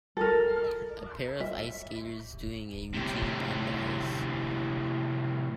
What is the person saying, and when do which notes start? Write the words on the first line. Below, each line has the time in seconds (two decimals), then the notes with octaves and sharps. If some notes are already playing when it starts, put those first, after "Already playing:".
A pair of ice skaters doing a routine on the ice.
0.17 A4 A#4
1.40 E5
2.94 A2 C3